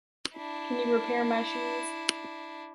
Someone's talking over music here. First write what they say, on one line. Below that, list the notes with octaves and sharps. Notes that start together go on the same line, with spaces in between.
Can you repair my shoes?
D4 E4